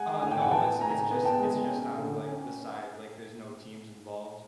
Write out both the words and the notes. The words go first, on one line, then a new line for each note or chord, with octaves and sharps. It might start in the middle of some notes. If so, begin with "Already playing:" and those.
Uh, no. It's it's just it's just on, like, the side, like, there's no teams involved.
Already playing: G#3 F#5 G#5
A2 G#5
G5
F#5 G#5
E3 G5 A5
A2 G#5 A#5
B3
G5 A5
G#3
C#4
D3
C#4